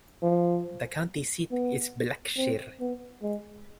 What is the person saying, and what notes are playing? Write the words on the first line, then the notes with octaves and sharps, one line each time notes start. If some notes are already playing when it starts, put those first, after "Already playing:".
The county seat is Blackshear.
F3
B3
C4
B3
G#3